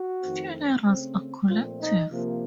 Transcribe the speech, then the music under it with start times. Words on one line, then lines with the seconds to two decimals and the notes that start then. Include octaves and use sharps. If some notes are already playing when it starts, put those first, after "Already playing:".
Funerals are collective.
Already playing: F#4
0.23 F2 D#3 A3 C4
0.85 C#3 A3 C4
1.47 A#2 F3 A3 C4 F4
1.78 D#4
2.09 C3 F3 A#3